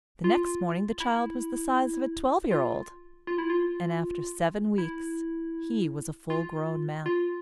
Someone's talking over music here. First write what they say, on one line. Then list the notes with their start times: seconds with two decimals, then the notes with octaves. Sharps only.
The next morning the child was the size of a twelve-year old; and after seven weeks he was a full-grown man.
0.24 F4
1.00 E4
2.51 F4
3.27 F4
3.38 E4
3.50 F4
4.78 E4
6.30 F4
7.06 F4